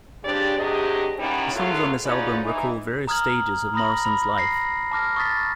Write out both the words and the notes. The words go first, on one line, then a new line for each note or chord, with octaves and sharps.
The songs on this album recall various stages of Morrison's life.
C#3 G3 C4 D4 G4 D5
C3 F#3 D4 G4 G#4 D#5
D#3 G3 B3 C#4 D#4 E4
C#3 F#3 A3 B3 F4
G#2 C#4 D#4 F4 B4 D5
E3 D#4
A#5 D#6 F6 G#6 F#7
A#5 B5 D#6 A#6 F#7
B5
A#6 C7
A5 D6 F6 A#6
C#6 D#6 A6 B6